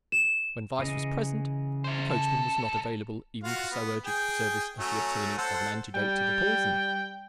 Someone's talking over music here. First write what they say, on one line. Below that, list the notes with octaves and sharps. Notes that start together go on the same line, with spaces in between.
When Weiss was present, the coachman was not available even for so urgent a service as the obtaining of an antidote to the poison.
E7
C#3 E3 D#5
E4 C5
C2 A4
F4 F#4 F5
B3
G#4 G5
F#3 A3 C#4
A4 C5 F#5
G3 G5